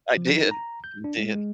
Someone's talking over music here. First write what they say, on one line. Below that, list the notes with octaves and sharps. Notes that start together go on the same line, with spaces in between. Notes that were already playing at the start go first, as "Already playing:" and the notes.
I did. Mm did.
F3
D#4
A#5
G6
D4
G#3
G#3